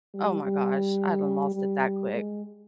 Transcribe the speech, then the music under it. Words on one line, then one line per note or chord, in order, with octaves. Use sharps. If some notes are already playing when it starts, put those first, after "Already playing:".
Oh my gosh, I done lost it that quick.
G3
G3
G3
G#3